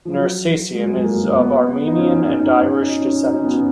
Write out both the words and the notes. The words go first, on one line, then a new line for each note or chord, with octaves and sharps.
Nersesian is of Armenian and Irish descent.
F3
F#3
G#3
F#3
G#3
A#3
B3
D#4
C#4
C#4
D#4
C#4
D#4
C#4
D#4
C#4
B3
C#4